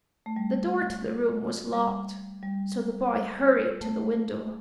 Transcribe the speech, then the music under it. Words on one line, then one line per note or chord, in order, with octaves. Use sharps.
The door to the room was locked, so the boy hurried to the window.
A3
G3
G3
G3
A3